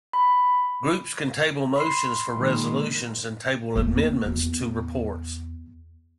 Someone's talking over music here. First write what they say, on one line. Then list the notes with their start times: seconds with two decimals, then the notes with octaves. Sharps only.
Groups can table motions for resolutions and table amendments to reports.
0.13 B5
1.76 B5 C6 C7
2.35 A#2 D#3 G#3
3.76 E2 A#3
4.26 E2